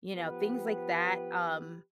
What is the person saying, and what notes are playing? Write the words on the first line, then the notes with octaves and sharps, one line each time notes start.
you know, things like that, um,
F3 B3 G4 B4